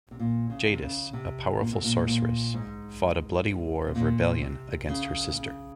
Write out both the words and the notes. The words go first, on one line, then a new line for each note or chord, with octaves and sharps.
Jadis, a powerful sorceress, fought a bloody war of rebellion against her sister.
C3
A#2
C#3
C3
C#3
C3
A#2
C3
A#2
G#2
A#2
G#2
C3
A#2
C3
C#3
C#3